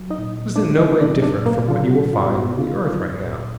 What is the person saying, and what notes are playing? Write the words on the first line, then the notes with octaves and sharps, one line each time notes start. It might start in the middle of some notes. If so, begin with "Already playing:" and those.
It was in no way different from what you will find on the earth right now.
Already playing: F#3
D#4 D#5
A#2
A#3
D4 D5
D#4 D#5
D4 D5
F#3
D4 D5
A#2
A#3 A#4
F#3 F4
F#4
A#2
F4
B3
F#4
D#4 F4
F#3
A#2